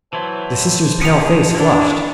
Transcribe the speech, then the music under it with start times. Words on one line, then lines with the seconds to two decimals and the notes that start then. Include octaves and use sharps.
The sister's pale face flushed.
0.13 E3 F#3 E4 C5 A5
1.01 C#3 A#3 G#4 C#7 F7
1.55 D4 E4